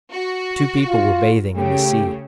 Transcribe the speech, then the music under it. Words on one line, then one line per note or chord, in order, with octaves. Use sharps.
Two people were bathing in the sea.
F#4
F4
C#3 A3 G4